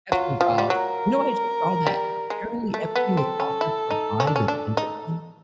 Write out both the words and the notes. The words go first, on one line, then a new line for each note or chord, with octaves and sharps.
Epstein files you know what I just saw that apparently Epstein was offered to buy the Pentagon?
F#3 F4
F3 F4
G3
F#3 A#4
G3
G#3
A3 A4
B3
C4
C#4
E4
D#4
C#4
D4
C#4
D4
D#4